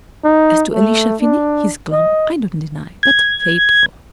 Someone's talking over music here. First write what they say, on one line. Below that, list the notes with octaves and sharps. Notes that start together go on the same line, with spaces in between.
As to Elisha Finney, he's glum, I don't deny, but faithful!
D#4
A3
D4
D#5
G#6